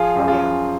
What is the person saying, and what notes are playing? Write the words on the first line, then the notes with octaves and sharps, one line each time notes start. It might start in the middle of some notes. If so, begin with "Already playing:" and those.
Oh, yeah.
Already playing: F3 F4 G#4
F#2
F4